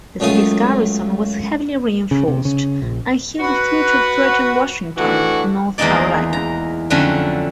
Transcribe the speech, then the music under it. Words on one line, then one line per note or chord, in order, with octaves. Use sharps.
The city's garrison was heavily reinforced, and Hill withdrew to threaten Washington, North Carolina.
C#2 F#2 A3 F4 D#6
C#3
C3
C#3
A#1
F#4 B4
A2 E3 D4 F#4
E2 E3 G#3 A#3 D#4 D5
A#5
F2 D3 F#3 A3 C#4